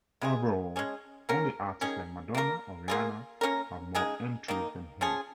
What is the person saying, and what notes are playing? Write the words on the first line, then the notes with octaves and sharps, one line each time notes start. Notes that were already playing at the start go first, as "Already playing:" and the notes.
Overall, only artists like Madonna or Rihanna have more entries than him.
G#3 F4 G#4
G#3 C#4 G#4
A#3 C#4 A#4
D#3 C#4 G#4
A#3 F4 A#4
A#3 F4 G#4
A#3 C#4 A#4
C#3 G#3 D#4 G#4
D#3 A#3 D#4
F3 C#4 G#4